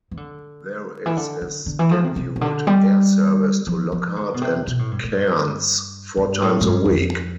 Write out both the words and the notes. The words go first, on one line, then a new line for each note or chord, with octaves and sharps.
There is a scheduled air service to Lockhart and Cairns four times a week.
E3
D3
E3
D3
D3
D3
E3
F3
C3
C3
C3
D3
G3
F3
F3
D3
B2
C3
B2
A2
G2
A2
G2
G2
A2
A2
G2
G2
F2